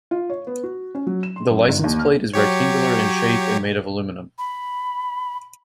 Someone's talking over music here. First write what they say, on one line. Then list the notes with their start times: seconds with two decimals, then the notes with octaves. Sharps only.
The license plate is rectangular in shape and made of aluminum.
0.11 F4
0.30 C#5
0.47 B3
0.64 F#4
0.95 C#4
1.07 F#3
1.23 E7
1.36 C6
1.50 F#2
1.69 G1
1.84 D#2
1.99 F6
2.34 F#3 G4 C#5
4.38 B5